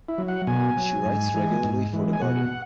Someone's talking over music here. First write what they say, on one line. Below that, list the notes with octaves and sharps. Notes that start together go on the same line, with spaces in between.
She writes regularly for "The Guardian".
E4
F#3
F#5
B2 G#5
F#3
G#2
E3 G#3
G#2
E3 G#3
G#5
B2 F#5